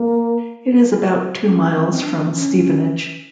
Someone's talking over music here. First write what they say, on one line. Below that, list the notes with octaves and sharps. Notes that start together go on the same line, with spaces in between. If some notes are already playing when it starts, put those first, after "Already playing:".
It is about two miles from Stevenage.
Already playing: A#3
C#4
C4
C#4
C4
D4
C#4